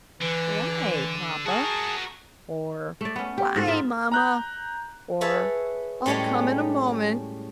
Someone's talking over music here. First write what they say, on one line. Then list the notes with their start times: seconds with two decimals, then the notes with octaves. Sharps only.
"Why, papa?" or "Why, mamma?" or "I'll come in a moment."
0.21 D3 E3
1.46 F#4 G#4 A#4 A5
3.01 A3 D5
3.16 B3 C#4
3.38 G4
3.56 G#2 A4
3.67 D#4 F4 E5
4.12 A#5 F#6 G6
5.21 G#4 B4 C#5 E5 A5
6.06 A2 G3 G#3 C#4 C#5